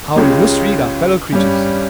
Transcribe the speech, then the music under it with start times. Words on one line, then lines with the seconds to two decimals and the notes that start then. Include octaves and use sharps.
How we misread our fellow creatures.'
0.16 C#2 C#3 G#3 C#4 G4
1.33 G2 G3 C#4